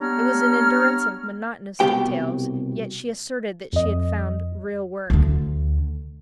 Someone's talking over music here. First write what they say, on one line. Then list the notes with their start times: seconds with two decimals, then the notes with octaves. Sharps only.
It was an endurance of monotonous details, yet she asserted that she had found "real work."
0.01 G3 B3 D4 C#5 A#5 F6
1.80 C2 B2 E3 G#3 G4 G5
3.73 F2 D#5
5.10 D2 D3